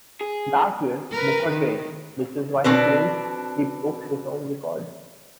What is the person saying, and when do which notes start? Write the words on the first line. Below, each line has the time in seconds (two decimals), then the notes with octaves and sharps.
That year, Buka trained, which is why he claims he broke his own record.
0.21 G#4
1.12 A#4 B4
1.50 D#3
2.64 B2 C4 D4 B4